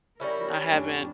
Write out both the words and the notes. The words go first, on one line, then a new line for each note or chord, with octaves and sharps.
I haven't.
G3 C#4 E4 A#4
F2 A2 D4